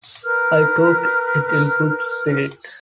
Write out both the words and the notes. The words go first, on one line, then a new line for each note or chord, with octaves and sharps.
I took it in good spirit.
A#4 B4 F6